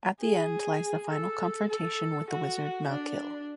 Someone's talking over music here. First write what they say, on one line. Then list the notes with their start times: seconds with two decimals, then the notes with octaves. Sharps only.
At the end lies the final confrontation with the wizard Malkil.
0.21 G#4
1.10 A4
1.70 A4
2.30 F#4
2.90 D4